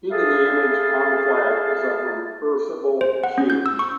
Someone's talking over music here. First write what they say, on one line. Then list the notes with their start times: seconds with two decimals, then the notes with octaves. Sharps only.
Even the image on the flag is of reversible cubes.
0.11 E4 G#4 A4 F5 A5
3.01 C5
3.24 F#5
3.38 C#4
3.50 G6
3.66 E6
3.79 C#6